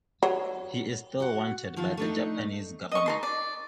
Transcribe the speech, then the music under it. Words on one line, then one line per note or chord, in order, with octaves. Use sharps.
He is still wanted by the Japanese government.
F#3
F#4 F#5
D#3 F3 G3 F4
A3 D4 D#4
D#5 C#6
D#4 A4 C6
D5